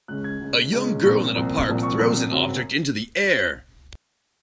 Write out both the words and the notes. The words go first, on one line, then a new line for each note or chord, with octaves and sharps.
A young girl in a park throws an object into the air.
C#2 C#3 G#3 C#4 F#6
G#6
C#2 C#3 G#3 C#4
C#2 C#3 G#3 C#4
C2 A#2 F3 C4 C#6
C2 A#2 F3 C4
C2 A#2 F3 C4
C#6
C2 A#2 F3 C4
F#2 C#3 F#3 C4